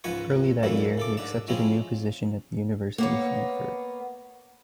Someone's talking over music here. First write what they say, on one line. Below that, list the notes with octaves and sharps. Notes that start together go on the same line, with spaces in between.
Early that year, he accepted a new position at the University of Frankfurt.
C#2 G#2 F3 B4 G#5 C#6
C#2
G2 A#2 C#3 F#3 A3 E4
C#3 A4 D6
G#2 D4 E5
F3 G#3 C4 C#4 E4
A#3 B3 C#5